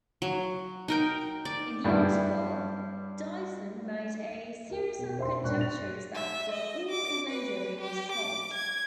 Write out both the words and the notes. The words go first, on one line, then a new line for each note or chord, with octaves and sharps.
In the article, Dyson made a series of conjectures that were all eventually resolved.
F#3
D#4 A#4 G5
D5
G2 G3 B3 E4
A#4 G5
B2
C5 E5 C6
G2 A#2 C#6 F#6
A6 A#6 F7
E5
D#5
D6
B4
G4
D6
G#6